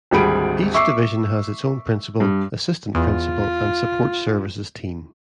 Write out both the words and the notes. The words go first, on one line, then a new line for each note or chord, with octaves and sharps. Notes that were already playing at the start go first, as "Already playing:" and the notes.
Each division has its own principal, assistant principal, and support services team.
G#1 D2 G3 G#4 B5 D7
E5 C#6 D6 E6 C7
G2
E2 F4